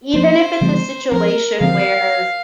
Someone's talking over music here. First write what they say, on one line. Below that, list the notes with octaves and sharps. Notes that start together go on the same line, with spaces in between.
even if it's a situation where,
F3 A#3 D4 C5
D3 F3 G#3 C4
F3 C4 A#4
D3 F3 C4 F5